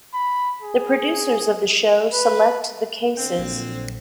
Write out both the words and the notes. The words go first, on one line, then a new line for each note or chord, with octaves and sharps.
The producers of the show select the cases.
B5
G#4
B4
D3 C4 G5
A#1 A#2 F#3